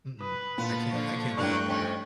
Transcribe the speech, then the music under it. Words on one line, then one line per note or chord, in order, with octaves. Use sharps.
Mm-mm, I can't I can't live that life.
B4 D#6
A#2 B3 F4 A5
D3 F3 C#6
G2 F#3 A3 A#3 D4 E4 G5 F#6
F2 C3 C#4